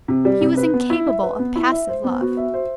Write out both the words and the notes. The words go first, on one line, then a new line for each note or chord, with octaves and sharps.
He was incapable of passive love.
C3
G3
C3
B4
B3
E4
E5
B4
B3
E4
E5
C5
B3
F#4
E5
C5